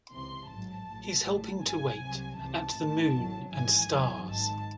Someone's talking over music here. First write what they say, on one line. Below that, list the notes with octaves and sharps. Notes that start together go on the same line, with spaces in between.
He’s helping to wait at the Moon and Stars.
C#2 C3 E3 C6
A1 G#2 F#3 A5
A1 A2 F#3
A1 A2 F#3
G#1 G#2 F#3 G#5
C2 C3 F#3
C#2 C3 E3 A5
A1 A2 E3
G#1 F#2 D#3 F#3
G#1 G#2 E3 G#5
E2 D#3 F#3
G#1 G#2 D#3 A5